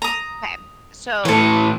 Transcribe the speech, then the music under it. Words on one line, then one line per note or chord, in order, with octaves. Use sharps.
okay. So,
A#5 D#6
A2 E3 A4 B4